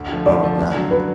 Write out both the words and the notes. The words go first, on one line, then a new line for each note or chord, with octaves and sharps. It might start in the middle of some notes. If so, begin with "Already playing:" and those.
Oh, god.
Already playing: D2
D3 F3 A3
D2 D5
D3 F3 A3
F#2
D3 F#3
B4